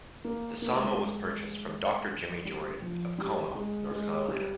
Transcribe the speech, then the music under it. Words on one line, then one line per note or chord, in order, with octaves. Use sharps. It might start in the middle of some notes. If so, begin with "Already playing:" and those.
The sawmill was purchased from Doctor Jimmy Jordan of Como, North Carolina.
A#3
A#3
G#3
G3
G#3
G3
F3
G3
G#3
G#3
G3